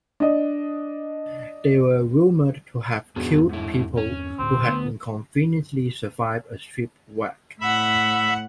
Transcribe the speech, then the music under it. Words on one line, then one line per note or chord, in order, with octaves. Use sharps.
They were rumored to have killed people who had inconveniently survived a shipwreck.
D4 D#5
E2 G2 B3 D4 F#4 G#4
G#2 E4
C#4
D2 A2 C4
D3 A3 B3
A2 E5 F#5 B5